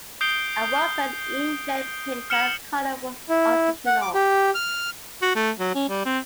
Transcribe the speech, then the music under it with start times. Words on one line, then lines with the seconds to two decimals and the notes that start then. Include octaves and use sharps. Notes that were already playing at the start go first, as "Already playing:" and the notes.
A one-pen inkjet printer, color was optional.
0.21 D#6 G6 C7 D7 G7
2.30 F6 C#7 E7 F#7
3.29 E4
3.86 F#5
4.01 D6
4.14 G4
4.55 F6
5.22 F#4
5.36 A3
5.59 F#3
5.75 C#4
5.89 G3
6.05 C4